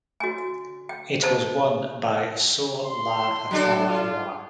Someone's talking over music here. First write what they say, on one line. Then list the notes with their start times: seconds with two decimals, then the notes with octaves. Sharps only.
It was won by Saw Lah Htaw Wah.
0.20 F#4 G#5
0.89 G5
1.22 C5 A5
2.85 C6
3.51 F#3 D4 A4
3.88 F4